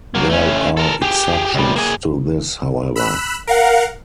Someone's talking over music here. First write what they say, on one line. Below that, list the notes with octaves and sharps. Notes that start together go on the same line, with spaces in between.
There are exceptions to this, however.
F#3 A#3
A3 C#4
A4 A#4
G4 G#4
C#2 G3
A#3 G#4
B5 E6 F#6
A#4 F5 F#5